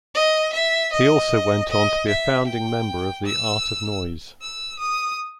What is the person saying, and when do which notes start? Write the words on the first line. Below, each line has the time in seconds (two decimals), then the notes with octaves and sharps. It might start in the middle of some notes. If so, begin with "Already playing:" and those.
He also went on to be a founding member of the Art of Noise.
0.14 D#5
0.53 E5
0.93 D#5
1.69 D#5
2.09 E5
2.47 G5
3.25 E6
4.42 E6
4.79 D#6